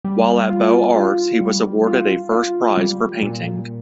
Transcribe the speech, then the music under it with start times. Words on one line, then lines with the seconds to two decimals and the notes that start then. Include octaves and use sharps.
While at Beaux Arts, he was awarded a first prize for painting.
0.04 G3
0.50 F4
0.96 F4
1.41 G3
1.87 F4
2.32 F4
2.77 G3
3.23 A#2